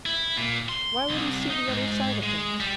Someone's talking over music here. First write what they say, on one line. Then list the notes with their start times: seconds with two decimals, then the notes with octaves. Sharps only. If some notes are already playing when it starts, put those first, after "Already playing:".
Why would he see the other side of things?
0.06 E4
0.37 A#2
0.69 C6
1.09 C2
1.50 D#4
1.68 G#2
2.23 G#3
2.60 G3